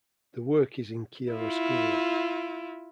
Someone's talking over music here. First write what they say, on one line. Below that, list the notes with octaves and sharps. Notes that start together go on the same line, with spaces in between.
The work is in chiaroscuro.
E4 F4